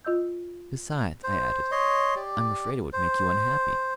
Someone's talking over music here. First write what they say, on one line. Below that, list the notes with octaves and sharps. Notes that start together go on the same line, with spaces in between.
"Besides," I added, "I'm afraid it would make you unhappy."
F4 D#5 E6 G6
C5
C#5 D#5 C6
G4 D5
C5